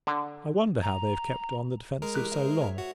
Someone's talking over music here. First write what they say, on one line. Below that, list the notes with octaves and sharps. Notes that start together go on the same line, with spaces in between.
I wonder how they have kept on the defensive so long.
D3
A#5
G#3 A#4
E3 G4 F#6
G#4 C5 E5
C#5 E5
F#4